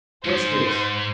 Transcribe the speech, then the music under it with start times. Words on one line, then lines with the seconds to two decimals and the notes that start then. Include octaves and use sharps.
"What's this?"
0.25 G#2 C5